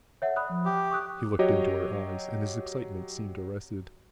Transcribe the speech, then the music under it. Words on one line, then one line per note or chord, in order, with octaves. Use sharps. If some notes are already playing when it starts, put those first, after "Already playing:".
He looked into her eyes, and his excitement seemed arrested.
A4 C#5 E5 F#5
D5 B5 D#6 F#6
F3
G4
D6
C#6 D#6 F#6
F#3 F#4 G4 C#5 D#5